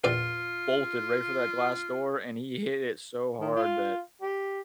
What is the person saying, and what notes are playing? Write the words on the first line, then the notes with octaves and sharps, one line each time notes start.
bolted right for that glass door, and he hit it so hard that,
A#1 E2 F4 D5
D#3
F4
G4